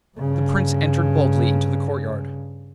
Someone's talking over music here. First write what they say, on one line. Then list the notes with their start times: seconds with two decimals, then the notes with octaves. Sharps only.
The Prince entered boldly into the courtyard.
0.17 G2 C#3